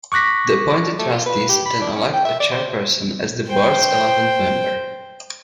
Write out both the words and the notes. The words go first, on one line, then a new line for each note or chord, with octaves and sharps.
The appointed trustees then elect a chairperson as the Board's eleventh member.
C#6 D6 F#6 A#6 B6
A3
F4
B4
G4
B5
D4
C#4
G5
E5
D5
C5
C5 G5